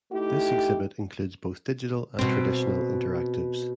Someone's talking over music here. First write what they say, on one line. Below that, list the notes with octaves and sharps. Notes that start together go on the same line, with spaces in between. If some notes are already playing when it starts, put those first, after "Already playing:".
This exhibit includes both digital and traditional interactives.
A3 D#4 E4 G4
B2 C4